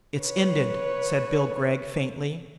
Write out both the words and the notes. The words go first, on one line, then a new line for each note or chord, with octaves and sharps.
"It's ended," said Bill Gregg faintly.
B4 C#5